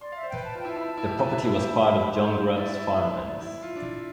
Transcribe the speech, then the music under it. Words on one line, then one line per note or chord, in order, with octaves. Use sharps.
The property was part of John Grubb's farmlands.
D5 C6
E5 F5
C5
B4 G5
A5
F4 G5
E4
A5
E4 B5
A5
E4
G4
B4
E4
E4
G4
B5
C5
E4 D5
E4
B4
C5
D5
E4
F4
D4
E4